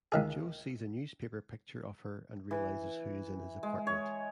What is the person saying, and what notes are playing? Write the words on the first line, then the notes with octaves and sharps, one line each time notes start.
Joe sees a newspaper picture of her and realizes who is in his apartment.
C#2 D#3 G#4
E3
G#3
C#5